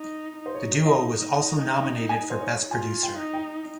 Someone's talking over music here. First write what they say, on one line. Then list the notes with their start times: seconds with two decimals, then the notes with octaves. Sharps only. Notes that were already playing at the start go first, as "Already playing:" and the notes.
The duo was also nominated for Best producer.
Already playing: D#4
0.39 D#4
0.46 C5
0.55 C#5
0.86 D#5
1.78 G5
2.09 G#5
2.30 C5
2.41 C#5
2.71 F4 G#5
3.03 G5
3.18 D#4
3.33 G5